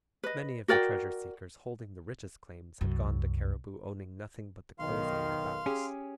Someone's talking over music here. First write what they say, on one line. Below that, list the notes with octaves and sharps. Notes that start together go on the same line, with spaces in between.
Many of the treasure-seekers holding the richest claims had gone to Cariboo owning nothing but the clothes on their backs.
B4 D#5
F#4 A#4 D5 G5
C2 F#2
B1 D#3 F5 C6
C#4 G4 G#4